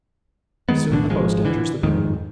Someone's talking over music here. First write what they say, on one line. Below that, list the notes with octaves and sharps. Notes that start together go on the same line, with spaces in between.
Soon the host enters the room.
D#3 G#3 B3
B1 A2 D3 D4
G#1 F3 G#3
D3 E3
F2 G#2 D#3